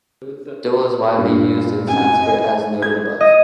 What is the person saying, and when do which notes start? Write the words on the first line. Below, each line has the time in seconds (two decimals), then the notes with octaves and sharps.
The dual is widely used in Sanskrit, as noted above.
1.18 G2 A#2
1.88 F#2 C3 G#5
2.21 D#5
2.82 G#6
3.21 D#5